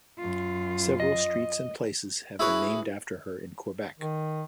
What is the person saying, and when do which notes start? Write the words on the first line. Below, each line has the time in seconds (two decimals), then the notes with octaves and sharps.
Several streets and places have been named after her in Quebec.
0.19 F#2 F4
1.00 D#5
2.39 E4 F#4 G#4 B4 C#5
3.99 D#3